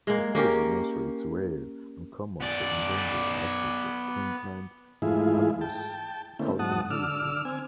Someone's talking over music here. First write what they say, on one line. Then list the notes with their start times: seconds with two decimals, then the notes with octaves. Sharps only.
The place demonstrates rare, uncommon or endangered aspects of Queensland and apos;s cultural heritage.
0.07 G#3 A#3
0.35 A#3 C#4 G4 A#4
2.40 B3 D5
5.02 G#2 E3 A3 E4 F4 G#4
5.61 G5 A5
6.39 D3 A3 A#3 C4 C#4 E4
6.59 G#2 F#3 F#5 A5 D#6
6.91 D3 D6 E6 F6
7.45 C4 G#5